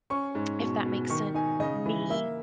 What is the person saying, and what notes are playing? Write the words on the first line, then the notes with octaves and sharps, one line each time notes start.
if that makes sense. Me,
C#4 C#6
G#2
B2
B2
D#3 C#6
D#4 G#5
C#3 D#5
E3
A#3 E5